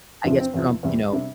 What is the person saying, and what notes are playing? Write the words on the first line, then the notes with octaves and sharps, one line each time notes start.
I guess Trump, you know,
E2 C3 F3 D4
C4
E2 C3 F3
E2 C3 G3
C3 G3 D4